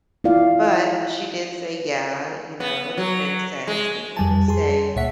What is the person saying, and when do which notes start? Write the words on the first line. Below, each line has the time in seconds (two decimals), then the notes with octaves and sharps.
But she did say, "Yeah," you know, the princess could come and stay
0.24 E4 F4 D5 F5
2.60 B3
2.98 F#3
3.67 G#3
4.17 F2 G3 G#5 A5
4.48 G#4 A5 C6
4.96 D2 A#2 C#5 E5 F#5 B6